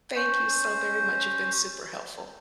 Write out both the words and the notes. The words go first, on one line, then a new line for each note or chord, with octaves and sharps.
thank you so very much, you've been super helpful.
C#4 C5